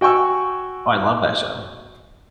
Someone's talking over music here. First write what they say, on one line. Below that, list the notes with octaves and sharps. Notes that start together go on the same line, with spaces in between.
Oh, I love that show.
F#4 G5 G#5 C#6 E6